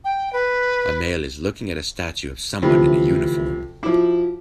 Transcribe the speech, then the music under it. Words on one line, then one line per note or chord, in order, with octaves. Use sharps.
A male is looking at a statue of someone in a uniform.
G5
B4
D2 C3 E3 F3 B5
F3 E4 F#4 D6